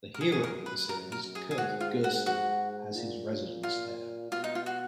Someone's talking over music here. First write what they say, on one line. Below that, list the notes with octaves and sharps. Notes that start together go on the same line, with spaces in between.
The hero of the series, Kirth Gersen, has his residence there.
A#4
F#2 G#4
G#4
A#4
B4
F#2 A#4
A#4
F#2
G#4
G#4
G#2 F#4
F4
F#4
F#4
A#2
F4
B2 F4
D#4
F4
F#4